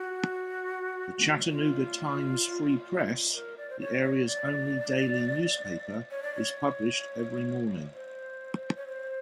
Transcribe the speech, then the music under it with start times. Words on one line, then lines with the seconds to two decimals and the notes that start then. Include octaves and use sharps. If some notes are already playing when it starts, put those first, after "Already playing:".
The "Chattanooga Times Free Press", the area's only daily newspaper, is published every morning.
Already playing: F#4
1.50 F4
3.35 A#4
3.57 D5
3.70 C5
3.81 C#5
4.03 C#5
4.27 D5
6.11 C#5
6.23 D5
6.35 C#5
7.94 C5
8.76 C#5
8.87 C5